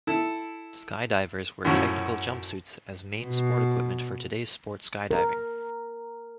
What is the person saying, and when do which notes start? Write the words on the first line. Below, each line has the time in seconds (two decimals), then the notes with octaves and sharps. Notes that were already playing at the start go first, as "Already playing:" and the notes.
Skydivers wear technical jumpsuits as main sport equipment for today's sport skydiving.
0.07 E4 A4
1.65 F#2 A2 F3 C#4 F#4
3.23 B2
5.11 A#4